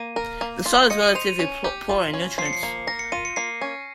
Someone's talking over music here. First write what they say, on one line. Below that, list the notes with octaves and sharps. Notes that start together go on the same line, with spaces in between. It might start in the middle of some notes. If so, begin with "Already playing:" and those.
The soil is relatively poor in nutrients.
Already playing: A#3 D#7
A#4
A#3
F4
D#5 C#7
D#7
C5 F7
D#7
C#4
G4
F4
C#4
F3 C7
C#7
C7
A#3
A#4 A#6
C#7
F4 D#7
C#7
A#3 C7
C#4